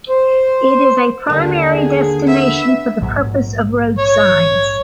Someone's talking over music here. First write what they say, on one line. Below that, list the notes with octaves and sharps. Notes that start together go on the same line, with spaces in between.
It is a primary destination for the purpose of road signs.
C5
D#2 D3 D4
G#4
B3 E5
A#1 G#2 F#3
C#5